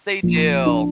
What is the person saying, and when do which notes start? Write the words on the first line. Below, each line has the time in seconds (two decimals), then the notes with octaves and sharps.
they do.
0.23 A#1
0.66 D4